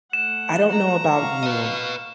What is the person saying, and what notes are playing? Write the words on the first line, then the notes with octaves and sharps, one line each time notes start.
I don't know about you,
A3 F#5 E7
A#5
F5 C#6
B4 D#5